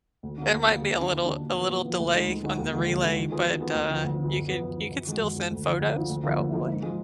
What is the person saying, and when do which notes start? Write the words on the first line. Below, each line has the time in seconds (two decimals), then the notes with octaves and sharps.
there might be a little a little delay on the relay, but, uh, you could you could still send photos, probably.
0.23 D2
0.38 D3 F#3 A#3
0.52 D2
0.67 D3 F#3 A#3
0.82 D#2
0.97 D3 F#3 D4
1.11 D#2
1.26 D3 F#3 D4
1.40 A#2
1.55 F3 B3
1.69 A#2
1.84 F3 B3
1.99 D2
2.13 D3 G#3 D#4 F#4
2.28 D2
2.42 D3 G#3 D#4 F#4
2.58 D#2
2.72 D3 F3 G#3
2.87 D#2
3.02 D3 F3 G#3
3.16 D#3
3.31 F#3 B3 F4 G#4
3.45 D#3
3.60 F#3 B3 F4 G#4
3.75 D2
3.90 D3 F3 B3
4.04 D2
4.19 D3 F3 B3
4.33 F#2
4.48 F3 B3
4.62 F#2
4.77 F3 B3
4.92 F#2
5.07 D#3 G#3 D#4 F#4
5.21 F#2
5.35 D#3 G#3 D#4 F#4
5.51 D2
5.65 D3 F3
5.80 D2
5.95 D3 F3
6.09 D2
6.23 D3 F3 A#3
6.39 D2
6.53 D3 F3 A#3
6.68 G#2
6.82 F3 G#3